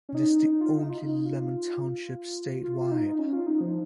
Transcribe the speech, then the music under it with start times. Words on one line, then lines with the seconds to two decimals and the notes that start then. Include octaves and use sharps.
It is the only Lemon Township statewide.
0.09 C#4
0.15 D#4
0.42 D#4
0.61 F4
0.79 D#4
0.90 F4
0.98 D#4
1.26 F4
2.64 F4
2.80 F4
2.91 D#4
3.11 D#4
3.19 C#4
3.33 F4
3.46 D#4
3.60 F3